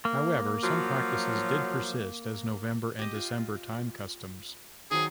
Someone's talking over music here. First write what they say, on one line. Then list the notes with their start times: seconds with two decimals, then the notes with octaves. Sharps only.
However, some practices did persist as November and December time customs.
0.05 A#3
0.63 F3 F#3
2.99 G4 D#5
3.14 F4
4.91 D#3 F#3 G#4 C5